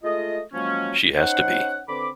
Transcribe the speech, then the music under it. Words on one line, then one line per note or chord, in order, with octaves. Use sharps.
She has to be.
G#3 A3 F4 D#5
F3 F#3 G#3 A#3 C#4
C#4 D#4 C5 F#5
D3 C4 B4 B5 D6